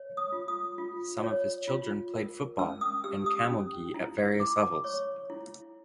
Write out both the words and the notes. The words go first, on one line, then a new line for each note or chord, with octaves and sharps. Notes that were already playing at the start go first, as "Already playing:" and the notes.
Some of his children played football and camogie at various levels.
Already playing: C#5
D#6
F4
D#6
F4
C#5
F4
A#4
C#4 E6
D#6
G4 E6
D#6
C#4
E4
E4 D6
C#5 C#6
E4